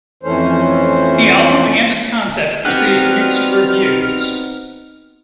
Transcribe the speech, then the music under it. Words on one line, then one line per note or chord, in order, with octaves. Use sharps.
The album and its concept received mixed reviews.
F2 E3 A3 C#4 C5
B3 C4 D4 D#4 F#4 G4 F6